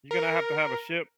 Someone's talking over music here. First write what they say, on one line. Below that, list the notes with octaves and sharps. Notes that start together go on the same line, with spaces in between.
You're gonna have to have a ship
A#4